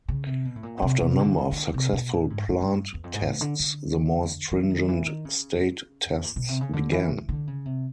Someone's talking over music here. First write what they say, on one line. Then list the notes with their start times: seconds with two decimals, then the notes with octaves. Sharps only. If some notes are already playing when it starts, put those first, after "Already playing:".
After a number of successful plant tests the more stringent state tests began.
0.08 C#3
0.26 C3
0.45 B2
0.56 A2
0.63 A#2
0.77 B2
0.82 C3
1.01 C3
1.19 D3
1.37 C#3
1.52 D#3
1.56 D3
1.74 C3
1.93 B2
2.11 A#2
2.30 G#2
2.48 G#2
2.60 G#2
2.67 G2
2.94 E2
3.04 F2
3.14 G#2
3.22 A2
3.41 D3
3.59 D3
4.51 E3
4.70 D#3
4.88 E3
5.07 D#3
5.25 C#3
6.24 A#2
6.36 B2
6.48 C3
6.61 C#3
6.73 D3
6.92 E3
7.29 D3
7.47 C#3
7.65 C3